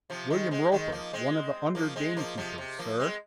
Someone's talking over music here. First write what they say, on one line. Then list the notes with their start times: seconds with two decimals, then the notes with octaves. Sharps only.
"William Roper, one of the under-gamekeepers, sir."
0.10 C3 F3
0.30 D#3 G#3
0.51 G#3 C4
0.72 D#3 G#3
0.92 F3 A#3
1.13 G#3 C4
1.75 F3 A#3
1.96 G#3 C4
2.16 F3 A#3
2.37 C3 F3
2.58 C3
2.79 F3 A#3
2.99 G#3 C4